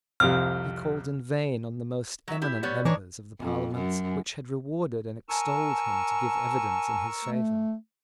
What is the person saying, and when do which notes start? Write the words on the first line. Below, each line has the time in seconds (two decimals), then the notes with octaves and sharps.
He called in vain on the most eminent members of the Parliaments which had rewarded and extolled him to give evidence in his favour.
0.20 C2 F2 C3 F6
2.28 F#3 E5
2.42 E4 G4
2.63 G3 B3 C#5
2.85 E3 D4 D#4 C#5
3.40 F2
3.75 F#2
5.29 A#4 G#5 A5 C#6 E6
7.25 A3